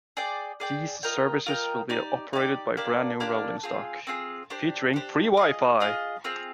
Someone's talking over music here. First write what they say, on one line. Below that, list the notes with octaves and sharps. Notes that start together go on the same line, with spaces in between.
These services will be operated by brand new rolling stock, featuring free WiFi.
G#4 D5 G5
G#4 D5 G5
F4 A#4 D#5 G5
F4 A#4 D#5 G5
D#4 G4 D5
D#4 G4 D5
A#3 D4 G4 D5
A#3 D4 G4 D5
C4 F4 G#4
C4 F4 G#4
D4 G4 C5
D4 G4 C5
F4 G#4 D#5
F4 G#4 D#5
C4 F4 G#4